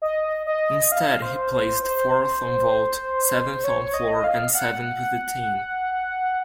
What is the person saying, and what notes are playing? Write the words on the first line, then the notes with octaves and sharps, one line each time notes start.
Instead he placed fourth on vault, seventh on floor and seventh with the team.
D#5
D#5
F5
C5
C5
C5
C#5
D#5
F5
F#5